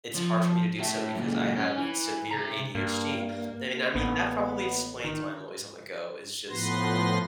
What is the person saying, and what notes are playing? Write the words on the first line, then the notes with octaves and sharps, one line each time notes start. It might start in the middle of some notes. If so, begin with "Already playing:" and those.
it's hard for me to do so because I have severe ADHD. And mean I mean, that probably explains why I'm always on the go; it's just
F3
A2 E5
F#2 A#2
C#4
E3
C3 A#5
G2 A#3
A1 B3
D#3
A2 F3 B3 B4 C6 A#6